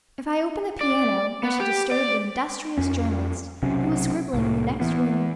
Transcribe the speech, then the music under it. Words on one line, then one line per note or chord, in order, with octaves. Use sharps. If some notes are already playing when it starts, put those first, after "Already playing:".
If I open the piano, I shall disturb the industrious journalist who is scribbling in the next room.
D5
B3
G4
D5
F2 C#4
B1 C3 F#3 C#4
C2 A2
E3 B3